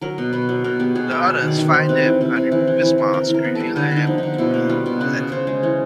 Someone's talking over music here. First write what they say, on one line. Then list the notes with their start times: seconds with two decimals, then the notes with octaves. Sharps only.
The others find him and remove his mask, revealing him to be Moletti.
0.01 F#3 A#4
0.18 B2
0.33 B2 B4
0.49 F#3
0.64 B2 A#4
0.80 B3 G4
0.95 B2 G#4
1.11 B2 B4
1.27 F#3 C#5
1.42 D#3
1.48 D5
1.58 D#3
1.68 C5
1.74 D#3
1.89 C3 B4
2.04 E3
2.21 C3
2.36 C3
2.52 E3
2.67 E3
2.82 E3
2.98 E3
3.13 E3 A#4
3.29 E3
3.34 A#4
3.44 B3
3.55 G3 A4
3.76 D3 G4
3.91 D3
3.96 D#4
4.07 F3
4.18 D3 D#4
4.38 B2 E4
4.54 A#3
4.69 G3 F4
4.86 B2
5.00 C#3 B4
5.16 C#3
5.32 C#3 C5
5.47 G#3
5.63 E3 C#5